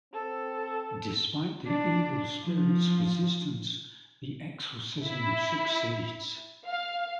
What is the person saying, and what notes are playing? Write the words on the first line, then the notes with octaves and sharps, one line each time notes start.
Despite the evil spirit's resistance, the exorcism succeeds.
C4 A4
D4
F3
E4
F5